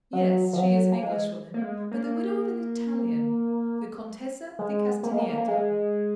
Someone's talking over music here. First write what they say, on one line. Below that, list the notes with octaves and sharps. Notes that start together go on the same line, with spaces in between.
"Yes, she is an Englishwoman, but the widow of an Italian--the Contessa di Castagneto."
F#3
F3
F#3
A#3
G#3
A#3
G#3
A#3
G#3
A#3
G#3
A#3
A#3
G#3